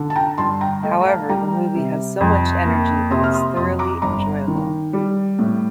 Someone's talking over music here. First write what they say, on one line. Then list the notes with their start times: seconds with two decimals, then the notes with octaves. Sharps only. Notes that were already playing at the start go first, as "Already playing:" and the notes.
However, the movie has so much energy that it's thoroughly enjoyable.
Already playing: D3
0.10 A5
0.16 G5 A#5
0.38 G2 A5 C6
0.61 G5 A#5
0.83 A3 D#5 G5
1.01 A#5
1.06 F5 A5
1.29 G3 G5 A#5
1.75 C3
2.20 F2
2.65 A#3
3.11 C3 C6 D#6
3.24 F6
3.34 C6 D#6
3.56 F2 C6 D#6
3.79 A#5 D6
4.02 G1 A#5 D6
4.48 D#3
4.93 G3
5.39 A2